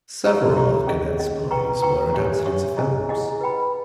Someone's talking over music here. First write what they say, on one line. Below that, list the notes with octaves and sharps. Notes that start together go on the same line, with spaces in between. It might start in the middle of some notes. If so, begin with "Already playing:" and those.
Several of Genet's plays were adapted into films.
G4 C#5 E5 A#5 C#6
G4 C#5 E5 A#5 C#6
C#4 G#4 D#5
C#4 G#4 D#5
B4 G5 A#5 C#6
B4 G5 A#5 C#6
G4 C#5 E5 G#5 C#6
G4 C#5 E5 G#5 C#6
E4 G#4 D#5 G#5
E4 G#4 D#5 G#5
B4 G5 B5